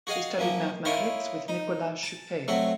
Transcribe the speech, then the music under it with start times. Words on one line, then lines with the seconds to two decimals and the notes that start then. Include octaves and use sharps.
He studied mathematics with Nicolas Chuquet.
0.07 F#4 G#4 D#5 F5
0.38 F#2 F3 A#3
0.85 E4 F4 A#4 C#5 D#5
1.48 D#4
2.03 A5
2.48 F#3 A3 C4 F#4